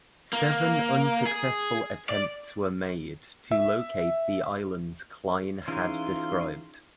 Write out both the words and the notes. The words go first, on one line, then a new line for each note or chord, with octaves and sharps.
Seven unsuccessful attempts were made to locate the islands Klein had described.
A#3
G#4
D5
E5
E3 C#4 D#4 F4 G#4 A#5 C6